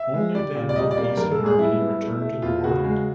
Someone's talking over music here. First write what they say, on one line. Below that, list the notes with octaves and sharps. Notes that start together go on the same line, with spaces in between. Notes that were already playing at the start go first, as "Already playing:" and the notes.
Only then will peace and harmony return to the world.
Already playing: E5
G#3
G3 D5
A#2
D5
G3 D#5
D5
A#3
D5
G2 A#4
A4
G#3
G#4
G2 E4
B3
A3
A3
E2 F4
C#3 F#4
G#3